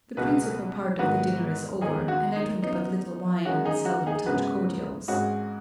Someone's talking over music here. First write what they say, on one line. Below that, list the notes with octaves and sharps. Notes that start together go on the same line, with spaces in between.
The principal part of the dinner is over and I drink but little wine and seldom touch cordials.
C#2 B2 G#3 F#4 B4
G#2 D#3 B3 F#4 B4
D#2 D#3 G#3 B3 D#4 G#4
F#4
D#4
F#2 F#3 B3 D#4
F#2 D#3 G#3 C#4 F#4
D#4 G#4
F#4
D#4 G#4
G#1 F#2 C#3 G#3 B3 F#4 B4
G#1 G#2 G#3 C#4 F#4